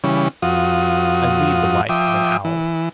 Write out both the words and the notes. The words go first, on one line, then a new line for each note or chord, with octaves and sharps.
'I lead the life of an owl.'
C#3 E3 G3 C#4
F2 F4 F#4 D#6
F3 E5 G5 D6 D#6
E3